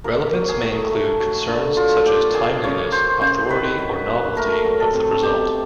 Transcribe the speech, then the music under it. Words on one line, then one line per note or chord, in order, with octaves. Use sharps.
Relevance may include concerns such as timeliness, authority or novelty of the result.
A#3 A#4
F#3
G#4
A2
A3
F#3
D3
F#3 F4
A#3 G4
A#3 G#4
C#3 C#5
F#3 C5
C#3 C5
D#3 B4
F#3
A#3
A3 A#4
F#3
A4
C3
B2 G4